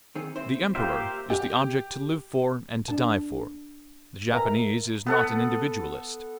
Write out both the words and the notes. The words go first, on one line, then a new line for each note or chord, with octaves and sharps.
The Emperor is the object to live for and to die for. The Japanese is not an individualist.
D#3 C4 G#4
C4 E4 C5
A#2 F4 G4 A#4 C5 E5 F5
G4
D4 A5
A#4 B4 E5 G#5 A#5
B3 A4 F#5